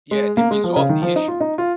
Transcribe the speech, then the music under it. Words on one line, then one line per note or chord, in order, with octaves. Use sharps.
Yeah, they resolved the issue.
G#3
A#3
G#3
F3
C#3
D#3
F3
D#4
F4
D#4
F4